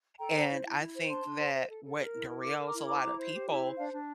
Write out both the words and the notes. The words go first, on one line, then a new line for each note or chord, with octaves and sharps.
and I think that what derails a lotta people
A4 G5 A#5
C5
E4
E4
E4
C5
D4 A5 C6
D4
C5
C5
A4
A4
A#4
E4
A#4
A#4 D6
A#4
A#5 D6
E4
C5 A#5 D6
E4
C5
G4
E4
C5
D4 D5 F5
D4